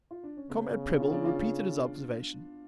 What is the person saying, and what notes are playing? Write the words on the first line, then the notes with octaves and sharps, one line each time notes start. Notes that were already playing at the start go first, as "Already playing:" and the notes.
Comrade Prebble repeated his observation.
F4
D4
C#4
C#3 B3
D4
F4
D4
F4